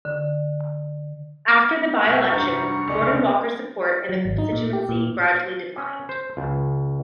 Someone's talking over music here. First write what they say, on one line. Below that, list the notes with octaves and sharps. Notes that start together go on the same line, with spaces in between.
After the by-election, Gordon Walker's support in the constituency gradually declined.
D3
C2 F#5 C#6 E6 F6 G6
F1 G2 F#4 A#5 C#6 A6
F1 C#2 G#4 D5 D#5
F#3
G#1
D#4
A#2
G4
A#2
C#4
C5
C#2